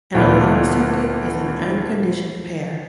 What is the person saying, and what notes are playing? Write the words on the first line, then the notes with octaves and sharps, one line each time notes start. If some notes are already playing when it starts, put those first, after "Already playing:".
An alarm circuit is an unconditioned pair.
D#1 D2 A#2 E3 B3 D5